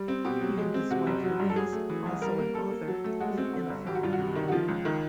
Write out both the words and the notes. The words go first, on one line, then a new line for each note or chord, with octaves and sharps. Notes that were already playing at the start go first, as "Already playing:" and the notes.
He and his wife Louise, also an author, live in a former nunnery.
Already playing: G3
C4
B2 G4
F#3
G#3
C4
C3 F#4
F#1
F#3
G2
A4
F#3 G#4
A3
E3
C2
G3 A#4
A#3
G3 A4
A#3
F#3
A3
G#3 F#4
C4
D3
G1
F#3 G4
F#4
G2 F4
F#4
C3
D#3
F#4
F3 F4
C#2
D#3